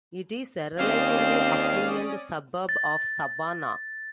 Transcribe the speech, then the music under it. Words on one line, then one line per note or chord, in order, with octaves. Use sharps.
It is a relatively affluent suburb of Savannah.
D#2 C4 C#4 C5 D5 F5 D#6
A6